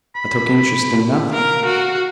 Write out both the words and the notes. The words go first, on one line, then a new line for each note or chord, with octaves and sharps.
I took interest in nothing.
B5
A#4 F5
F#4